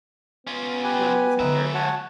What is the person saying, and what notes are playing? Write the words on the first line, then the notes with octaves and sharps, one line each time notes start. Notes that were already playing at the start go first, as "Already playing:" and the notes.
lemon zinger, yeah.
B3 C#4 F4
G4 B4 G#5
D3 G#3 C#4 D#4 B4 E5
C#5 F#5 A5